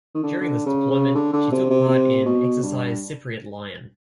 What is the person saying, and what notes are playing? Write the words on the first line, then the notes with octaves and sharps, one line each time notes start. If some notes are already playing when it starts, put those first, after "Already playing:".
During this deployment, she took part in Exercise Cypriot Lion.
D#3
D3
D3
C#3
C#3
D3
D3
C3
C3
C3
B2
G2